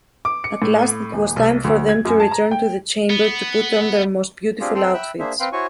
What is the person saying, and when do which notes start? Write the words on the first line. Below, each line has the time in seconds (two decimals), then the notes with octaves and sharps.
At last it was time for them to return to the chamber to put on their most beautiful outfits.
0.25 D6
0.44 C#7
0.62 A2
1.13 D#1
1.36 C2
1.64 D2
1.89 G#6
2.05 F#2
2.20 A5
2.31 A#5
2.51 G5
3.10 B3
4.61 C4 D4 F4 G4 G#4
4.75 C4 A4 G5 C6
4.94 E5 G5 B5 E6 F#6
5.19 A#3 D4 G#4 C5 E5
5.40 C4 B4 F5 G5 C6
5.53 E4 F#4 C5 C#5 G#5 C#6